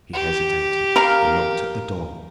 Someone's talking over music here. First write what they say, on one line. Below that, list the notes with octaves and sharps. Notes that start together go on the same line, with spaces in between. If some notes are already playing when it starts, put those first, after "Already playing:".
He hesitated, then knocked at the door.
G4
A#4 F5 A#5